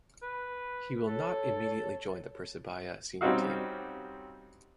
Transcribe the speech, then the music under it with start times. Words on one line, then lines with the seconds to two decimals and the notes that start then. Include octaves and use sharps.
He will not immediately join the Persebaya senior team.
0.22 B4
1.07 A4 C#5
3.21 G3 C4 C#4 D#4 F#4 F5